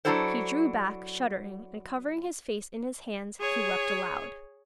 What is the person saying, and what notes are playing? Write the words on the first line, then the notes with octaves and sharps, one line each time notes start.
He drew back shuddering, and covering his face in his hands he wept aloud.
F#3 D4 E4 F#4 A4 C5
G#4 C#5